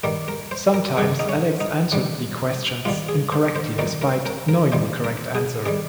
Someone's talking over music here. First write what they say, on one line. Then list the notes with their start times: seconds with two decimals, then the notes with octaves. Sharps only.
Sometimes, Alex answered the questions incorrectly, despite knowing the correct answer.
0.04 G2 D#3 G3 A#4
0.28 A#4
0.51 C5
0.74 A#4
0.97 G2 D#3 G3 G#4
1.19 D#4
1.29 C#4
1.60 D#4
1.92 G#2 D#3 G3
2.85 G#2 D#3 G3 F4
3.09 G#4
3.32 C5
3.56 C5
3.78 F2 C3 D#3 G3 A#4
4.02 A#4
4.25 A#4
4.49 A#4
4.72 F2 C3 D#3 G3 C5
5.04 A#4
5.35 G#4
5.66 D#3 G3 G#4